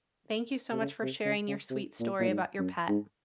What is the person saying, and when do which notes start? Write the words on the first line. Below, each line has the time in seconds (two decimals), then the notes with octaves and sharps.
Thank you so much for sharing your sweet story about your pet.
0.72 C3
0.80 C#3
1.03 C3
1.25 C#3
1.48 C#3
1.70 C3
2.00 A#2
2.20 A#2
2.29 G#2
2.59 F#2
2.88 G#2